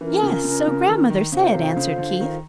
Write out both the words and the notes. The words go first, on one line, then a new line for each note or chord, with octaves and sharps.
"Yes, so grandmother said," answered Keith.
E3 C#4 F4 A#4
C#3
C#3
C#3
D#3
D#3
C#3 F4 A4 C5 F5
C3
C#3
D3
D#3